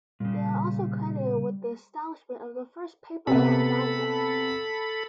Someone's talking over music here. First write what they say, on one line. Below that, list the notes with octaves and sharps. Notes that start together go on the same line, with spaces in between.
They are also credited with the establishment of the first paper mill in Baghdad.
A#2 C#3 G3
C3 B3 A4 B5